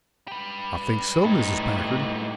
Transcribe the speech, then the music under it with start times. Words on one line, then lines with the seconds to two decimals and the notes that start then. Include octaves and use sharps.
"I think so, Mrs. Packard."
0.28 G4 B4
1.25 A2 D#4